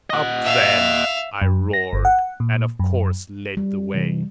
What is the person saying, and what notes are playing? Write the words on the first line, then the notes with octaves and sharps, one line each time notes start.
"Up, then!" I roared, and, of course, led the way.
D#5 F#5
E5 F5
F#2
A#6
G1
F#5
A#2
F#2
G3
C3 E3